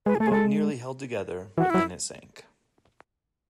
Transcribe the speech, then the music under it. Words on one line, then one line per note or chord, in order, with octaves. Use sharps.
The boat nearly held together, but then it sank.
G#3 B4
G#4
A3 A4
G#4
G#3 A4
E3 F#4
F#3 E4